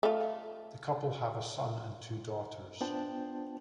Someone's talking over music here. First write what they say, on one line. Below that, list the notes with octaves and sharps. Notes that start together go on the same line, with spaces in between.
The couple have a son and two daughters.
A3 F4
B3 D4 F4 C5 G5 A5